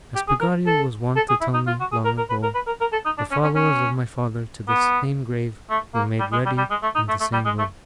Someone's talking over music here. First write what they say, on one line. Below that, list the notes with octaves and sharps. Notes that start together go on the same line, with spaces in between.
As Peggotty was wont to tell me, long ago, the followers of my father to the same grave were made ready in the same room.
G4
G#4
A#4
A4
A4
G#4
E4
D#4
F4
F#4
G#4
A#4
A#4
B4
A#4
B4
A#4
A#4
A4
D#4
D4
C#4
C#4
C#4
B3
A3
A#3
G3
G#3
G3
G3
G#3
A3
D#4
A3
A3
G3
G#3
A3